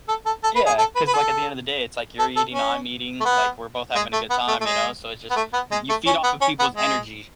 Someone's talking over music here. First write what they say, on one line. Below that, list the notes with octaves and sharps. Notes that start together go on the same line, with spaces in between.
Yeah, 'cause like at the end of the day, it's like you're eating, I'm eating, like we're both having a good time, you know, so it's just, y you feed off of people's energy.
A4
A4
A4
B4
G#4
A4
B4
B4
A4
A4
A4
C#4
A3
B3
G#3
A3
B3
A3
A3
G#3
B3
A3
B3
G#3
A3
C#4
B3
C#4
B3
G#3